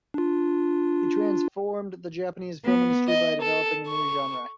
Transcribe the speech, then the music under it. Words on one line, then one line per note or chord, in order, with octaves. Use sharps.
He transformed the Japanese film industry by developing a new genre.
D4 F4
B3
D#5
A4
C#6